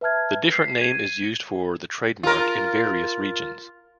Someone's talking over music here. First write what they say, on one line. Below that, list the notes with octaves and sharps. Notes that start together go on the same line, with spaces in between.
The different name is used for the trademark in various regions.
B4 E5 A5 F6 G#6
B6 C7
G#6 D#7
F4 A#4